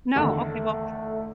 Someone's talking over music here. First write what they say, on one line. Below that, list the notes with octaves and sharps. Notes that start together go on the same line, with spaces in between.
No, okay, well,
E2 D3 D#3 A3